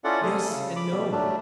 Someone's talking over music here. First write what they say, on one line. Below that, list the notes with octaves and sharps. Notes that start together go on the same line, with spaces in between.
"Yes and no."
C#4 E4 F4 A4 D5 F#5
C3 G3 A3 G#4 A4 D#6
C#3
B5 D6
B2 G3
F#3 G3 A3 D4